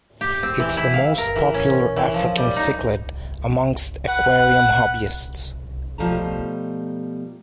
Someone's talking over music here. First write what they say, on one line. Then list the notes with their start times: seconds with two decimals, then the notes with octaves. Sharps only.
It is the most popular African cichlid amongst aquarium hobbyists.
0.21 G4
0.43 C4
0.60 E3
0.77 E4
0.94 F5
1.18 A#4
1.36 E3
1.54 C#4
1.96 E3
2.14 F3
2.38 G3
2.56 D#4
4.07 B4 F#5
5.98 B2 F3 G3 A3 A#5